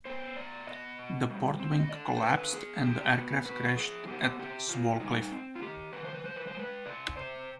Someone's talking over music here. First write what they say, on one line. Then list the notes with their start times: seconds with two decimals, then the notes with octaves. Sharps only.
The port wing collapsed and the aircraft crashed at Swalcliffe.
0.05 B3 C5
0.36 B2 D5
0.67 B3 D#5
0.99 B2
1.30 G3
1.60 C4
1.79 D#5
1.91 D3 D5
2.17 C5
2.22 D3 B4
2.53 B3 G#4
2.83 B2 G4
3.14 B3
3.45 B2 B4
3.76 F3 G#4
4.07 B3 G4
4.39 C3 G4
4.69 C3 F4
4.96 F4
5.00 G3 D#4
5.31 C4
5.55 F4
5.62 D#3 G4
5.92 D#3 B4
6.04 C5
6.15 B4
6.24 F3 C5
6.36 B4
6.47 C5
6.55 G#3 B4
6.86 C3 D5
7.17 C3 C5